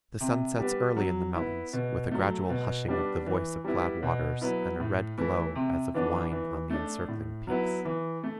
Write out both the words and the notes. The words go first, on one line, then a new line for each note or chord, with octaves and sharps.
The sun sets early in the mountains with a gradual hushing of the voice of glad waters and a red glow as of wine on the encircling peaks.
C3
G3 B3
F#3
B3 E4
B2
F#3 A3
B2
G3 B3 D4
E3
G3 B3 E4
B2
F#3 B3 E4
A2
E3 A3 E4
C3
E3 B3 D4
E3
A3 D4
A2
F#3 B3 E4
E3
A3